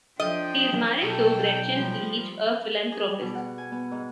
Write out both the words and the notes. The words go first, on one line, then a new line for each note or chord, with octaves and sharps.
He is married to Gretchen Leach, a philanthropist.
F3 D4 D#5 G5
B1 A4 G5
F3 G3
G#4
G3
B2
F#5
G#5
B3
G#2